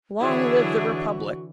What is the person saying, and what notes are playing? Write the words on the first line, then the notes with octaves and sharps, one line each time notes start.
Long live the Republic!
D3 E3 D4 E4 F#4 G#4 C#5 E5